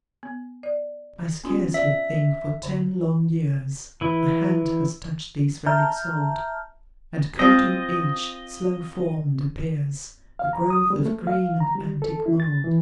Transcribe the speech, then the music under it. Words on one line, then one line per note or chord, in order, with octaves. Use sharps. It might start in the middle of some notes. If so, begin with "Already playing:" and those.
I scarcely think, for ten long years, A hand has touched these relics old; And, coating each, slow-formed, appears The growth of green and antique mould.
B3
D5
B3 C#4 F4
D5 E5
D3
E3 E4
E5 A5 A#5 F6 G6
C4 F4 D#5
F5
A#5
D#6
G3
A3
F5
A#5
G3
A4
E4
A6
E3